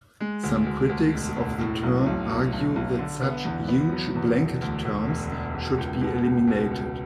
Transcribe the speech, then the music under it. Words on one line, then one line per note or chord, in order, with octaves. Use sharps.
Some critics of the term argue that such "huge blanket terms" should be eliminated.
G#3
D2
D2
D2
E1
E1
A2
B1
B1
B1
B1
B1
D3
B3
E2
B3
F#3
E2
E1
D2
D2
E1
E1
E1
C#2
B2
C#2
B2
C#2